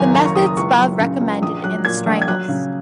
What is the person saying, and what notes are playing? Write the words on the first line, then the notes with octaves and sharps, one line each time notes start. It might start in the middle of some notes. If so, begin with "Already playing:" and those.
The methods above recommended in the strangles.
Already playing: F#1 D#2 F#3 G#5 A#5
F#2 A#5
C#6
F#1 D#6
D#6
C#2 C#6
F#3
C#3
C#2
A#1 D#6
F#3 F#6
A#2 G#6
A#1
G#6
F#3 F#6
C#3